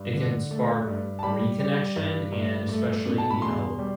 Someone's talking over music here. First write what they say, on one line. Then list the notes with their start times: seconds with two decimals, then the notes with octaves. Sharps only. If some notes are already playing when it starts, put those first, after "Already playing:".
it can spark reconnection and especially, you know,
Already playing: G2
0.13 D3
0.51 A3
0.87 G2
1.19 A5
1.23 G3 B5
1.60 G3
1.96 G2
2.32 G2
2.69 A3
3.06 B2
3.18 A5
3.30 B5
3.42 E2 C6
3.79 G3